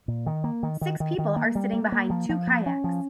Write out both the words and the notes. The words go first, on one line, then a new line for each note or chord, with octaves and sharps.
Six people are sitting behind two kayaks.
A#2
D#3
A#3
D#3
D#3
D#3
D#3
A#3
G3
A#3
A#3
F3
F3
A#3
C#4
F3